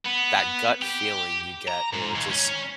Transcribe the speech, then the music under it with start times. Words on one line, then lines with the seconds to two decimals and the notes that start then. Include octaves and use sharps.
that gut feeling you get or just
0.05 B3
0.82 G4
1.68 A#5
1.94 G#2
2.16 D#2
2.31 C#4